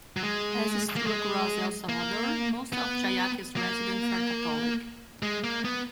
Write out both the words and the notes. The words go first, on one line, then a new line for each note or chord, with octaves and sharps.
As is true across El Salvador, most of Jayaque's residents are Catholic.
F#3
G#3
A#3
G#3
A#3
B3
A#3
G#3
A#3
B3